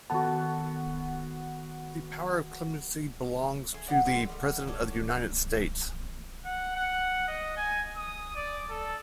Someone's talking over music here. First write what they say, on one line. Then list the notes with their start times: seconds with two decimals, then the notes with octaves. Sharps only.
The power of clemency belongs to the President of the United States.
0.10 D#3 B3 F#4 A4 A5
3.72 A3 G#4
3.87 B3 D5 F#5
4.06 D#3 G#3 E5
4.29 G3 A3
4.67 A4 C#5 D5
6.45 F#5
6.76 F#5
7.28 D#5
7.57 G#5
7.97 D#6
8.36 D5
8.70 A4